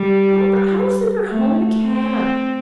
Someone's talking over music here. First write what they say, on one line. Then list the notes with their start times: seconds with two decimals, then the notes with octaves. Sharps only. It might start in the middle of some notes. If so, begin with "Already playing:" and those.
'Oh, but I will send her home in a cab.
Already playing: G3
1.29 A3
1.85 C4